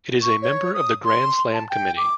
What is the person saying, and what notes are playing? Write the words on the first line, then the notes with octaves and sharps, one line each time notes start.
It is a member of the Grand Slam Committee.
C#6
C#5
D#6
C6
A5
G5
D6